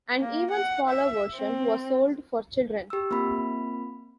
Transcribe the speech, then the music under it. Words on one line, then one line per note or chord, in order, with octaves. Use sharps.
An even smaller version was sold for children.
A#3
F#5
E5
C4
G4 E6
A#3 C4 F4 B5